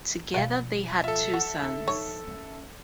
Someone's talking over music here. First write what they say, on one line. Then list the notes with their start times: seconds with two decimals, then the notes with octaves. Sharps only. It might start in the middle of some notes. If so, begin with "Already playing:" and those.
Together they had two sons.
0.34 B2 F3 B4 D5 F5
1.04 F4 A4 E5
1.34 F#4
1.62 D#4
1.88 F3 D#4 C#5
2.27 D#3 C#4